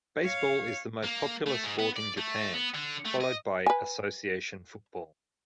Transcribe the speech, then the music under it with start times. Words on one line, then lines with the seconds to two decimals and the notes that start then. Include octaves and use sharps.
Baseball is the most popular sport in Japan, followed by association football.
0.22 C#5 F5
1.04 A#3
1.46 A3
1.63 G#2
1.79 B3
1.96 D5
2.17 A3
2.53 B3
2.74 D3
3.06 A3
3.21 D#5
3.66 B4 G#5